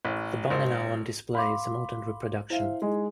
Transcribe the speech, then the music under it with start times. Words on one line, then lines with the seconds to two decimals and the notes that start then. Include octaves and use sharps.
The banner now on display is a modern reproduction.
0.05 A1
0.50 G#1 C5
1.35 F5 B5 C6 D6
2.50 E4 C5 E5 F5
2.82 G#3 D#4 G#4